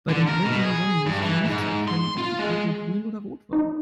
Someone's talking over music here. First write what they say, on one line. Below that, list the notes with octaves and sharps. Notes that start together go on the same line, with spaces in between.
Bei dem blendenden Sonnenlicht war nicht zu erkennen, ob die Ampel grün oder rot war.
D3
A#4
B2
G#4
G2
E3
G#2
C6
F4
G#3
D#4